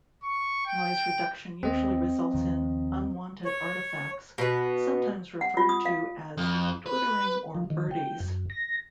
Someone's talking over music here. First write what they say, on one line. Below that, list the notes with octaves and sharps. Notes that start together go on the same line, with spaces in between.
Noise reduction usually results in unwanted artifacts, sometimes referred to as "twittering" or "birdies".
C#6
G5
D#2 C4 D#5
D#2 D#3 F3
C#5
B2 B3
F#5
F4
D#6
F5
F2
B4
F3
D#3
G5
F#2
A#6